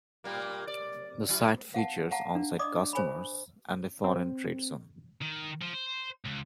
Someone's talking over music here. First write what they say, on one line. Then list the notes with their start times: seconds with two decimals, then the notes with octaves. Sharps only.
The site features onsite customers and a foreign trade zone.
0.24 A#2 G3 A#3
0.67 D5
1.29 F#3 E4
1.74 F5 F#5 A5
2.11 F5 F#5 A5 A#5
2.35 D4
2.59 D5 D#5 D6 D#6
2.93 C5 G#5 B5
4.04 C4
5.22 D#3
5.62 F3
5.74 C5
6.26 C#2